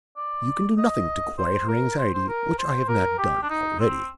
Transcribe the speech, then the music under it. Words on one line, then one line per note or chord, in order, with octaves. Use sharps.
You can do nothing to quiet her anxiety which I have not done already.
D5
D#5
C5
A#4
C5
C5
A#4
C5
A#4
G4
D4
D#4
C4